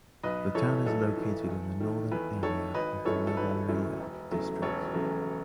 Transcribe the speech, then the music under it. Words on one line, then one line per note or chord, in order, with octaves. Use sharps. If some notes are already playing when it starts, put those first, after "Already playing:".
The town is located in the Northern area of the Lavalleja district.
B1 B4 D#5
A2 E3 A4 C#5
B1 A4
A2 E3
E2
D#3 A3
E2 B4
D#3 A3 A4 C#5
G#1 B4 D#5
F#2 E3 A3 A4 C#5
A4
G#1 B4
F#2 E3 A3
E1
E2 C#3 F#3 A3
E1 A4 C#5
E2 C#3 F#3 A3